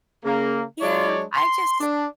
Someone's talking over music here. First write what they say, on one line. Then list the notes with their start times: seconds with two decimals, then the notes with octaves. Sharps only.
Yeah, I just
0.24 C#3 A#3
0.81 F#3 G#3 D4 C#5 D5
1.35 C6
1.80 D4